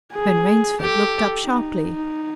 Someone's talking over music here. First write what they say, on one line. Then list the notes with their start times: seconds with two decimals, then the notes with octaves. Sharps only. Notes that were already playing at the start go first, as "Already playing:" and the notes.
Ben Rainsford looked up sharply.
0.14 G#4
0.81 G4 A4
1.49 D#4